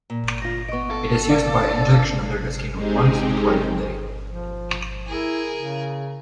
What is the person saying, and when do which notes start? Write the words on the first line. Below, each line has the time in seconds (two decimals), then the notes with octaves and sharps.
It is used by injection under the skin once to twice a day.
0.10 A#2
0.42 D2 F4 A#6
0.69 B3 D#5 C#6 D7
0.91 A4
1.30 D4 D5 F5 D6
2.75 G#3 C4 D#4 G4 G#4
4.27 F3
5.08 E4 G#4 A#4
5.56 C#3